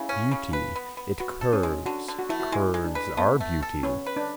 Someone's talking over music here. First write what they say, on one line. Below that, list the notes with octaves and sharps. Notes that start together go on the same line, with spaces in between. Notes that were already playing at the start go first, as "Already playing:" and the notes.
Beauty: it curves: curves are beauty.
Already playing: C#3 E4
C#4
C#3
B4
B3
B3
B3 F#4
A4
C#4
G#3
D3 F#4
D3
F#4
A3 E4
F#4
G#3 E4
G#3
D4
B4
A3 B3
A3
A4
B3 C#4
B4
D4